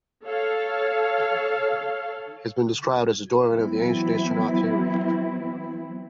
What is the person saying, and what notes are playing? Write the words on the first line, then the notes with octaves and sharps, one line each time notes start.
He has been described as the doyen of the ancient astronaut theory.
A4 C#5 F5
E3 F#3 B3 C4 E4